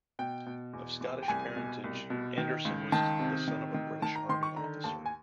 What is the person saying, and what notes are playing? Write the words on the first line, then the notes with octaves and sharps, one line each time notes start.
Of Scottish parentage, Anderson was the son of a British Army officer.
B2 G5
B2
E2
E2
G5
C2 G#5
B2
C2
B2
D#3
C#2
D#3 A5
C3
D#3
D#3
D#3 A5
A#5
D#3 C6
C#6
D3 A#5
D#2 A5
G#5